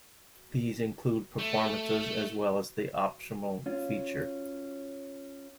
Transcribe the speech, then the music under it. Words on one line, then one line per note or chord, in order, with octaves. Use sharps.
These include performance, as well as the optional features.
A3
C#4 F4